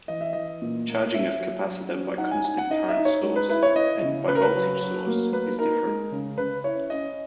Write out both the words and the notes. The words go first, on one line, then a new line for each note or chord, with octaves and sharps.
Charging of capacitor by constant current source and by voltage source is different.
E3 D#5
E5
E3 D#5
A#2
A#3
C#4 E5
F#3
F#3
C#4
D#4 F#5
G#5
D#4 G#5
F#5
D#4 D#5
E5
D#4
C#5
G#3
B4
E4 B4
C#5
E4 D#5
C#3
C#3 B4
A#4
B4
F#3
F#3
A#3
A#3 B4
D#4 A#4
G#3
C#3
C#3 B4
E4 C#5
C#4 D#5